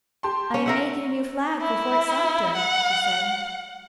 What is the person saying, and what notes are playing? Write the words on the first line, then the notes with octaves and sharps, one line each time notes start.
"I am making a new flag for Fort Sumter," she said.
G4 A5 C6
C#4
A#4 E5 F#5
E4
F#5